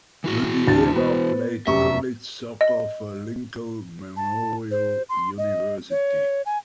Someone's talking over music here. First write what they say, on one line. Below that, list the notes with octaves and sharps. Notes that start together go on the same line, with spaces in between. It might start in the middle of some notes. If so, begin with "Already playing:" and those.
Nogueira played college soccer for Lincoln Memorial University.
E3 E4 F#4
D2 D4 A6
B3 C5
F1 F#2 G4 E5 C#6
D#5
A5
C5
C6
D#5
C#5
G#5